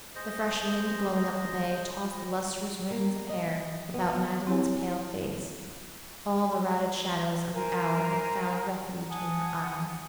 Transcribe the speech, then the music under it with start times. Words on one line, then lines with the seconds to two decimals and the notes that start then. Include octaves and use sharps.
The fresh wind, blowing up the bay, tossed the lustrous rings of hair about Magdalen's pale face; all the routed shadows of the hour had found refuge in her eyes.
0.15 G#4 C5 D#5
2.91 A#3
3.29 D#5
3.94 B3
4.47 C4 E4 G4 C#5 G#5
7.54 A#4 C5 G#5 A#5
9.09 F#5 G#5 A5 D#6